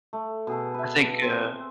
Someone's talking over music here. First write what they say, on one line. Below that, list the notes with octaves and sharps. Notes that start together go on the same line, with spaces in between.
I think, uh
A3
B2 G#4 A4
B4 E5
C4